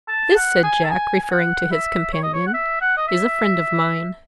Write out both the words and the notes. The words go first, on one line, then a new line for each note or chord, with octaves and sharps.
"This," said Jack, referring to his companion, "is a friend of mine."
A5
F#5
G#5
A5
G#5
G#5
F#5
E5
C#5
D#5
C#5
F#5
E5
F#5
D#5
E5